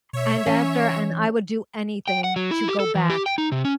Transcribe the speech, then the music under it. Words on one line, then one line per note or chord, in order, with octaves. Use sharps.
and after and I would do anything to go back.
B2 C#5 E5
E3 C#4
G5
F#5
F#3
E4
G4
A4
E3
G4
G5
D#4
C3
C#4